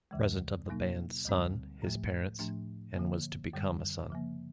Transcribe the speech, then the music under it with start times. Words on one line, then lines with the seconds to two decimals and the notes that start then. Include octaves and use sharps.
Present of the band's son, his parents, and was to become a son.
0.11 D#2 C#3 E3 G#3
0.69 B2 F#3 A#3 D#4
1.25 D2 D3 G3 C4
1.82 A2 F3 A3
2.39 A2 F3 A3 D4
2.96 D3 F3 A#3
3.53 F#2 D3 G3
4.10 C#3 F3 A#3